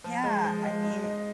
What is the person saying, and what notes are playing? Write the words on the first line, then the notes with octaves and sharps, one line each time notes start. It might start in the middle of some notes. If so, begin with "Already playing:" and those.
Yeah, I mean,
F3
G#3
F3
G#3
D#4
D#4